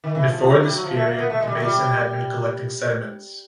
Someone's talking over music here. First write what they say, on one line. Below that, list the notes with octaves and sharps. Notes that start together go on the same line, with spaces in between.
Before this period the basin had been collecting sediments.
D#3
E3
F3
F3
F#3
G3
F#3
F3
A3
A#3
B3
A3
G#3
G3
F#3
G3